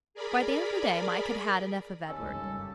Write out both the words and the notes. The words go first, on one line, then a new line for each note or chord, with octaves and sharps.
By the end of the day Mike had had enough of Edward.
G#4 A#4 D5 B5
D#2 C#4 A4
C#2 G#3
F#1 G2 G3
G4